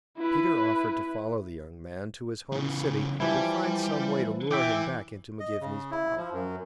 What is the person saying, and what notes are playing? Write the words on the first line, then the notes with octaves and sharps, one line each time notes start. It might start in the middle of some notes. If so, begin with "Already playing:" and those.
Peter offered to follow the young man to his home city, and find some way to lure him back into McGivney's power.
E4 B4
C#3 E3
E3 F3 G3 E4
E3 E5 G5 D6
D#5
C#3
E4
F3
F#2